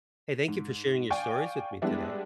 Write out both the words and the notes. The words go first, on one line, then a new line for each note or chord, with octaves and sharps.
Hey, thank you for sharing your stories with me today.
G#2
D5 F5 G5 G#5 C#6
G3 G#3 B3 D4 E4 G#4